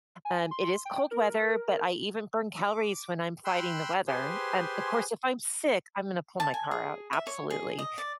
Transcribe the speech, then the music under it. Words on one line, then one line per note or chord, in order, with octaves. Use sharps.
um, it is cold weather, but I even burn calories when I'm fighting the weather. Um, of course, if I'm sick, I'm gonna pull my car out, absolutely.
G#5
C6
G5
A#4
D6
G5 B5 C6 E6 F#6
G4 G#4 B4 C5 G#5 C6
A5
G#5
G#4
E5
C#5
G#4
D#5
D5